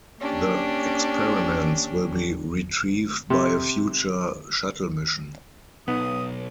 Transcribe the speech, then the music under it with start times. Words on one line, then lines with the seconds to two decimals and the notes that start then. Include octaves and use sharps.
The experiments will be retrieved by a future shuttle mission.
0.20 A#3 C#4 D4 G4
3.30 C3
5.88 B1 B3 D#4 F#5 D#6